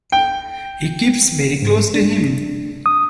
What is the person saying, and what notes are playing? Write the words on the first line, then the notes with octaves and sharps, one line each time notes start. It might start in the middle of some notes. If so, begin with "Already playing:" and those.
He keeps very close to him.
G5
G#2
D4
D#6